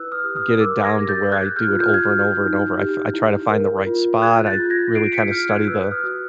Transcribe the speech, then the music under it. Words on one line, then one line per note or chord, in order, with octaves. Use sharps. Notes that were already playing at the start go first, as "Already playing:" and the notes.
get it down to where I do it over, and over, and over, I f I try to find the right spot. I really kind of study the
Already playing: E4 B4 E6 F#6
D#6 F6
G4
D#6 F6
A#4 D6 E6
G#6 A#6
G4
G6 A6
G#4 F#6 G#6
F6 G6
F4
F6 G6
G#6
F#4 F6 G6
D#4
G4
E4
A#4
F4
G#4 F#6 G#6
G6 A6
F4
G#6 A#6
G#4 C7 D7
B6 C#7
E4 F6 G6
F#6 G#6
B4 E6 F#6
D#6 F6
F#4